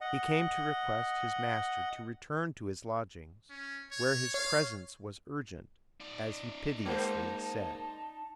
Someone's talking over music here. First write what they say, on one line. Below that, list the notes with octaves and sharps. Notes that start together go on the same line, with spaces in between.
He came to request his master to return to his lodgings, where his presence was urgent, as he piteously said.
D#5 F#5
C#4
C#5
C#5 F5
D#4 D5
G#3 A#3 C5 A5